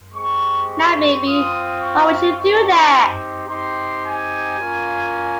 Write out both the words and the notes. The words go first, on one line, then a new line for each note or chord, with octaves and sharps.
Now, baby, why would you do that?
G#3 C4 G4 C#6
C#6
C4 F4 D#6
C#6
C4 D#4 G4 C#6
C6
C4 D#4 G4 C6
G#5
A#3 C#4 F4